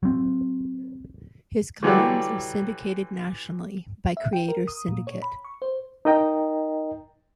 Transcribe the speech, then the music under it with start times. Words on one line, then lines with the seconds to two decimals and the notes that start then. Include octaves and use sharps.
His columns are syndicated nationally by Creators Syndicate.
0.03 F#3 C4
1.83 D3 E3 F#3 G3
4.17 E5
4.33 G5
4.48 A#4
4.68 D#6
4.88 A#2
5.07 C#5
5.22 B5
5.45 C#6
5.62 C5
6.05 D#4 A#4 D#5 G5 A#5